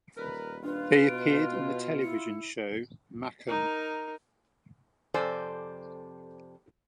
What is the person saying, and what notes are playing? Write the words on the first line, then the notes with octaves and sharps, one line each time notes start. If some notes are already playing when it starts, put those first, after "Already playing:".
They appeared in the television show "Macken".
D#1 A#4 B4
D4 F4 B4
B2 D7
E4 C#7
D#4 A#4
F2 C3 A4 C5 D5 G#5